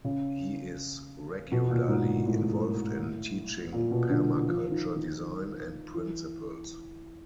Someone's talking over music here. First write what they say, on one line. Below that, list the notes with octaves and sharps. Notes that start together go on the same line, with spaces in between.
He is regularly involved in teaching Permaculture design and principles.
C#3
B2
A#2
G#2
A2
A#2
B2
D3
E3
F3
D#3
D#3
E3